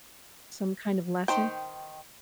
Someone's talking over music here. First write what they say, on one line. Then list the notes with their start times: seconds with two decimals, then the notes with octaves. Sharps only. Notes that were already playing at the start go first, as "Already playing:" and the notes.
some kind of lesson?
1.28 D#3 C5 G5